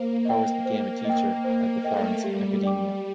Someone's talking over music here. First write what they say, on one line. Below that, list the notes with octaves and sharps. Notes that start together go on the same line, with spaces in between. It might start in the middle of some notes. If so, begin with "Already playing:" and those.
Powers became a teacher at the Florence Accademia.
Already playing: A#3 C5
D#5 G5
C5
D#5 G5
A#3 C5
A3 D#5 G5
G3 G4
D5 G5 D6